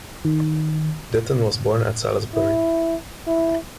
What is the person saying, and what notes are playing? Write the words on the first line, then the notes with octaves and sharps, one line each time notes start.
Ditton was born at Salisbury.
D#3
E4
E4